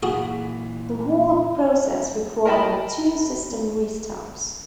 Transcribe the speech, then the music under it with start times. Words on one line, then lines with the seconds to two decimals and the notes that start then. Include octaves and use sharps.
The whole process required two system restarts.
0.03 A#2 E3 F#4 G#4
2.45 A#4 D#5 E5 G5 A5 B5